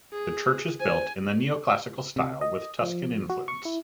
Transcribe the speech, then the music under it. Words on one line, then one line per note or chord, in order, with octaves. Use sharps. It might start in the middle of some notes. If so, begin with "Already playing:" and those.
The church is built in the Neoclassical style with Tuscan influence.
G#4
C5 G#5
C3
D#5
F3
F#4
C#6
E4